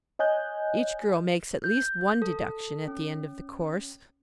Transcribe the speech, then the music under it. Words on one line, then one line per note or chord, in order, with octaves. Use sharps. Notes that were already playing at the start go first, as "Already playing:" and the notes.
Each girl makes at least one deduction at the end of the course.
C#5 D#5 G#5 F#6 G6
G6
A4
C#4